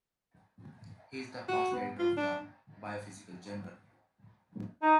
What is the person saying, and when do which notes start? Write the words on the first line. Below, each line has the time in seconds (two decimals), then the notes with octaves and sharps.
He is a past Editor of the "Biophysical Journal".
1.48 F#4
1.73 B3
1.99 F4
2.17 D4
4.82 D#4 A#5